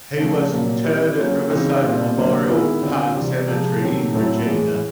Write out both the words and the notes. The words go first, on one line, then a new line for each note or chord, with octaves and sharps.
He was interred at Riverside Memorial Park Cemetery in Regina.
C#3 F3 A3
A#2 F#3 A#3
G3 C4 E4 G4
F#3 A#3 C#4 F4
C#3 E3 G#3 C4 D#4
A#2 G3 C4 F4
D3 F#3 A#3
D#3 G#3 B3 E4
D3 G3 C4 F4
C3 E3 G3 C4
C3 F3 G#3
C3 D#3 F#3 A3 C4
A2 F#3 A3 C4 E4
A2 E3 G#3